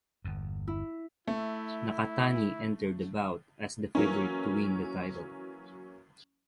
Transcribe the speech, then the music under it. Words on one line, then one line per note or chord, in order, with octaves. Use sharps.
Nakatani entered the bout as the favorite to win the title.
G1 E2
E4
A3 E4
E3 F#3 A#3 C#4